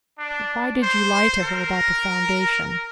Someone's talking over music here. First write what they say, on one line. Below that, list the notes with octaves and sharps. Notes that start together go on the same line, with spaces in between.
"Why did you lie to her about the Foundation?"
D4
C5
A#4